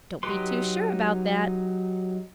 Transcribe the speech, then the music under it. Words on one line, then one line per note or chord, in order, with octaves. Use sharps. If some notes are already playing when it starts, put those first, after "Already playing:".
"Don't be too sure about that."
F#3 D#4 G4 B4 C6